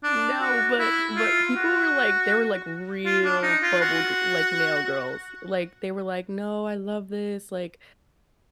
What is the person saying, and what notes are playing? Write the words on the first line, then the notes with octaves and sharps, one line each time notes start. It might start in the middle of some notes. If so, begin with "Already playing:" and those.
No, but but people were like they were like real bubble g like, nail girls. Like, they were like, "No, I love this, like,
D4
F#4
E4
F4
F#4
F4
D4
D#4
F4
F#4